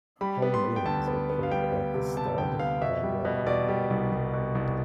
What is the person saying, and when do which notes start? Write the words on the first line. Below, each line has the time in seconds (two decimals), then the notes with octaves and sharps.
Home games are played at the Stade Daniel-Ambert.
0.21 G3 B5
0.42 B3
0.54 C6
0.65 B3
0.76 G5
0.86 D2 A5
1.08 B3
1.30 B3
1.43 F5
1.51 G3 G5
1.73 B3
1.94 C3
2.16 C3 A5
2.38 D2 G5
2.59 B3 F5
2.81 B2 E5
3.03 G3
3.25 B2
3.47 B2 D5
3.68 G3
3.90 C2
4.12 C2
4.33 B2
4.55 C2